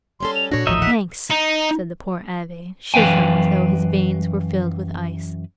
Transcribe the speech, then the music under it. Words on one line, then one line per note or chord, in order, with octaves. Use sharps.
"Thanks," said the poor abbe, shivering as though his veins were filled with ice.
G3 C#4 A4 C6
F7
A#2 D4 F#4 G#4 C#5 A#6
D#1 A1 F3 D#4 D#5 E5 A#5
F#5 B6
D#4
F#2 E3 B4 F5 G5 G#5